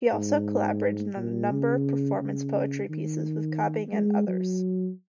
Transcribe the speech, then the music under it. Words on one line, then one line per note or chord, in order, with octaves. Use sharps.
He also collaborated on a number of performance poetry pieces with Cobbing and others.
G#2
A#2
C#3
C#3
D#3
G#3
F#3